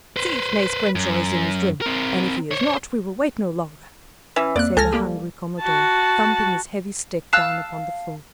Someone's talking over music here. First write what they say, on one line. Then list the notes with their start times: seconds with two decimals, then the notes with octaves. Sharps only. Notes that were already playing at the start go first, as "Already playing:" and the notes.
"See if Nace Grimshaw is in his room, and if he is not, we will wait no longer!" said the hungry commodore, thumping his heavy stick down upon the floor.
0.16 B4 C5
0.96 F#2
1.82 C4 A#4
2.51 C5 C#5
4.36 E3 C#4 E5
4.56 F2 A#3 D5 F#6
4.77 C#2 A4 G#5 F6 A#6
4.93 G3 A#3 G4
5.61 F#4 A5
7.33 F5 A5 E6 F#6